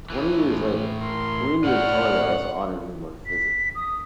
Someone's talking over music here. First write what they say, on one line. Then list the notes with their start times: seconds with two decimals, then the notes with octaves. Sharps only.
Twenty years later, Queen Victoria also honoured him with a visit.
0.10 A2 E3
1.01 A#4 C6
1.64 A2 D5 F#5 F6
3.27 B6
3.75 D#6